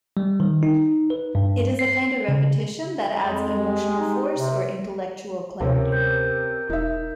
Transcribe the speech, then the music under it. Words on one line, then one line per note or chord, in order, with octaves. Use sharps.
It is a kind of repetition that adds emotional force or intellectual clarity.
G3
D#3
D#4
B4
G2
C7
C#3
F2 G#3
G4
D#4
C3
D2 C3 C4 C#4 A#4 C#5
A#4 G6
E1 D#4 E5